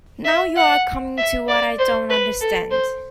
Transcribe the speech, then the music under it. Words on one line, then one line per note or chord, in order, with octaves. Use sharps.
Now you are coming to what I don't understand.
E5
F#5
E5
D5
C5
B4
A4
C5